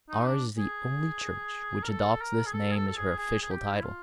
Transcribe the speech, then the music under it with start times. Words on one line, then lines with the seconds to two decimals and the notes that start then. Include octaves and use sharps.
Ours is the only Church which adopts this name as her official title.
0.09 D#4
0.26 D4
0.58 G#4
1.82 A#4
1.89 A4
2.21 A#4
2.46 G#4
2.53 A4
2.71 G#4
2.75 A4
2.88 A4
2.97 G#4
3.18 G#4
3.41 G#4
3.51 G4
3.74 E4
3.83 F4